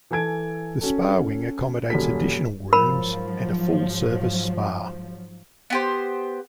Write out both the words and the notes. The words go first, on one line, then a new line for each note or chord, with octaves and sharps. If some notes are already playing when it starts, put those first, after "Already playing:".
The spa wing accommodates additional rooms and a full-service spa.
E3 A4 G#5 G#6 D7
C#4 F#4 A4
D#1 F#2 A4 B6
G#2 F3 F#3 A#4 B5
B3 G4 C5